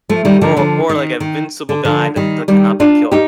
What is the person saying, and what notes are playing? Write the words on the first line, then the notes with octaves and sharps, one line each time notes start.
or or, like, invincible guy tha that cannot be killed.
F3 A3
D#3 G3
D3 F3
D3 F3
D#3
D#3
D3
D3 F3
D#3 G3
D#3 G3
D4 F4
D#4 G4